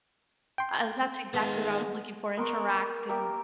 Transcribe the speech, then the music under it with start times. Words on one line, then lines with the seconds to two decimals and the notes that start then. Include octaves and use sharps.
Uh, that's exactly what I was looking for, interactive
0.58 G5 C6
1.34 D#3 G#3 B3 F4
2.37 B3 A#4 C6 C#6
3.09 A#3 G4 A#4 E5